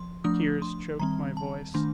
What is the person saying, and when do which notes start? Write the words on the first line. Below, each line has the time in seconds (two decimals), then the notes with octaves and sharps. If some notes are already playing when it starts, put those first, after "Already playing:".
Tears choked my voice.
Already playing: F3 C6
0.24 F3 A3 D4 D#6
0.62 C6
0.99 D#3 G3 C4 A#5
1.37 A5
1.74 D#3 A3 D4 C6